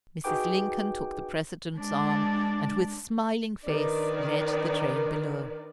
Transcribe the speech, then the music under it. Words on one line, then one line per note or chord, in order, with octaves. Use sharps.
Mrs. Lincoln took the President's arm, and with smiling face led the train below.
D#4 F#4 G#4 B4 G5 D6
G#3 D4
D#3 D4 D#4 B4 D5